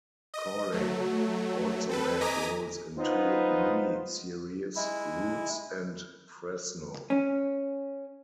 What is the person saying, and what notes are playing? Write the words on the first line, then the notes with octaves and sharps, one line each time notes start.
Corley also had roles in two mini-series, "Roots" and "Fresno".
D#5
F#3 A3
C4 A4 B4
D#5 G#5 A#5 D6 B6 D#7
B3 D#4 F4 C5
G#3 E4
C#4